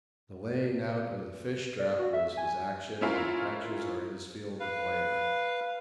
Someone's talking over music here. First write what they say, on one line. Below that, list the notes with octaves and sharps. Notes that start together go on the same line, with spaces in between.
The laying out of the fish trap was his action and the catches are his field of labour.
D5
F#4
E5
G#5
C#4 E4 F4 A#4
B4 F5